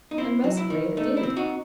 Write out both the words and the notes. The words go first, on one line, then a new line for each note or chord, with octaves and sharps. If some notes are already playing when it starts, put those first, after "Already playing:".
And mercifully it did.
D#4
C4 E4
F#3
E4
D#3
A3 D#4
E4
C4
D#4 F#4